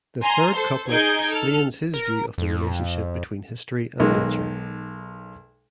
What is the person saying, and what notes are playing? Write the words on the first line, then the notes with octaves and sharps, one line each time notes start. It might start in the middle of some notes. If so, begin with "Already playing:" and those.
The third couplet explains his view of the relationship between history and nature.
G#5 A#5 C6
A4 C5
D#4 G#4 G6 G#6 D7
A4 F6
A#4
F2
B1 D#3 G#3